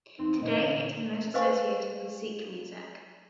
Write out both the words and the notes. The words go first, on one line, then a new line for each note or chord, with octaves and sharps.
Today it is most associated with Sikh music.
F2 C4 D#4 C6
A#2 D3 E3 D#5
B4 C5 D#5 F5 G#5 C#6